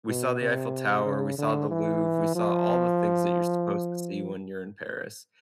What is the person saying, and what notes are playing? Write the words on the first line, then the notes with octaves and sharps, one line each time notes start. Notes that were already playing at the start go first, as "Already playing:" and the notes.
We saw the Eiffel Tower, we saw the Louvre, we saw all the things that you're supposed to see when you're in Paris,
B2
C3
C#3
D3
E3
F3